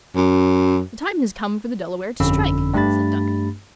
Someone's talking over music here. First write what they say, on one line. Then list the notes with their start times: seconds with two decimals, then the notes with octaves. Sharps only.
"The time has come for the Delaware to strike!" said Duncan.
0.16 F#2
2.20 G1 F2 D3 C#4 B5 E6
2.74 G2 A3 D4 G4 B5 A6